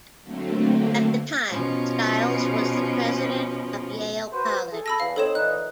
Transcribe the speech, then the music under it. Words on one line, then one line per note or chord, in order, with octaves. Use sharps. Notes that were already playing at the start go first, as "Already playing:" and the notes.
At the time, Stiles was the President of Yale College.
D3 F#3 A3 A#3 C4
B2 F3 C#4
F#4 B4 C5
G#4 A4
B5 E6 A#6
E2 F5
C4 D#4 A4 C#5 E7
A#2 E3 D#4 F#6